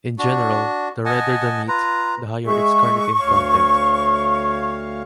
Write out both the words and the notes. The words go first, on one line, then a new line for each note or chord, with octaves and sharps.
In general, the redder the meat, the higher its carnitine content.
D4 F#4
D#5 F#5 G#5 A5
F4 B4 A#5
G#3 G#4 E5 C#6
D2 C#5 F5